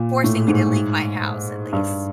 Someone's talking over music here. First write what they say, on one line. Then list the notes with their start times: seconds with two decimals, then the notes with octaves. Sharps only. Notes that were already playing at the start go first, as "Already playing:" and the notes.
forcing me to leave my house, at least,
Already playing: A#2
0.24 A2
0.48 G#2
1.73 G2